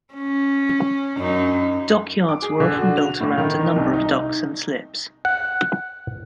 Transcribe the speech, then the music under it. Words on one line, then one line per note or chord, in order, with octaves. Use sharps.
Dockyards were often built around a number of docks and slips.
C#4
F#2 D#4
D6
G#4
D3
F#4
F7
A2
D#3
D#4
C2
D#4
F#5